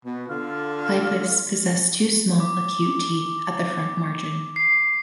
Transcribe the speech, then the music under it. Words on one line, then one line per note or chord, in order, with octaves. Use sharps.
Clypeus possess two small acute teeth at the front margin.
B2 B3
D3 F4
D6
C7